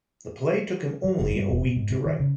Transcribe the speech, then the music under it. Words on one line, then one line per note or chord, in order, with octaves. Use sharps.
The play took him only a week to write.
F#3
F#1
G2
E1
B2
G#2
C3
D#3
C#3